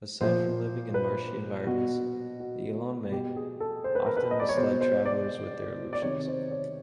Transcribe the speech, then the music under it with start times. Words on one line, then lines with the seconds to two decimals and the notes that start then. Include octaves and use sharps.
Aside from living in marshy environments, the Eleionomae often misled travelers with their illusions.
0.21 A#2 F3 C5
0.94 B4
1.67 B2 F#4
2.40 F#4
3.12 B2 G4
3.36 G#4
3.60 A4
3.84 C5
3.95 B4
4.06 A#4
4.17 B4
4.31 D#5
4.40 D5
4.49 C#5
4.57 B2 C5
4.81 C5
5.05 D5
5.93 D5
6.02 C3 D#3 C#5
6.27 C5
6.51 C#5